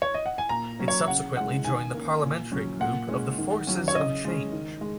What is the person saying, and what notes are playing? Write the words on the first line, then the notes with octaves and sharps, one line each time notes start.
It subsequently joined the Parliamentary Group of the Forces of Change.
C#5
D#5
F#5
G#5
A#2 A#5
F#3 C#4
C#5
C#3 F#5
G#3 C#4 F#5
D#3 G#5
A#3 C#4
A#2
F#3 C#4
A#2 F#5
G#3 C#4
D#3
F#3 C#4
C#5
C#3 D#5
G#3 C#4
D#3
G#3